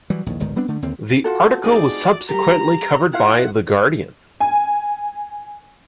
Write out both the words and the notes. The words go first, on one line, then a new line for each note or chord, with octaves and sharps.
The article was subsequently covered by "The Guardian".
E3 F#3 G3
A#1 D#2 A2
G1 C#2 G#2 D#3
G3 B3 C4 D4
D3 A3
D#2 D3 C4
F4 F#4 A4
C4 D#4 G#4 D5
G3 G4 A#4 A#5
E4 F4 F5 F#5
G#5